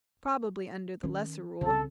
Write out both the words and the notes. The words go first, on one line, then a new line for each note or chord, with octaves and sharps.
"Probably under the Lesser Rule."
D#3 C#4
C2 C#3 A4